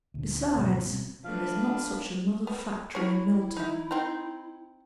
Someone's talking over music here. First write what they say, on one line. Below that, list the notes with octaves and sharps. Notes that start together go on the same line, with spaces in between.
Besides, there is not such another factory in Milton.
D2 A#2 D4
D2 G#2 B2
B2 G3 C4 C#4
F3 A3 D4 B4 F5
B3
C#4 E4 C#5
D#4 E5
C4 D#4